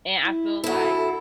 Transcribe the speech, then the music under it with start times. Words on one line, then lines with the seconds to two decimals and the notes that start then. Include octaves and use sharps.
and I feel like
0.23 E4
0.64 D2 E4 A4